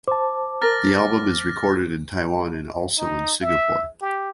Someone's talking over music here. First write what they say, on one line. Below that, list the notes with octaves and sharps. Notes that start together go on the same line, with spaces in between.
The album is recorded in Taiwan and also in Singapore.
C5 A5 D6
A#4 A#5 F6 A6 A#6
D#4
E5
G4